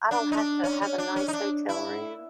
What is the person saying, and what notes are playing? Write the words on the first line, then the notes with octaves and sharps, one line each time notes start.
I don't have to have a nice hotel room,
D4
D#4
D4
C#4
C#4
D4
C#4
D#4
D4
E4